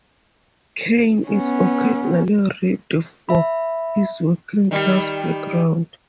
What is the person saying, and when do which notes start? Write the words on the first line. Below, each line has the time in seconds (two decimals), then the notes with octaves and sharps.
Caine is occasionally ribbed for his working-class background.
1.28 B3 C#4
3.29 E5 B5
4.71 D#3 G3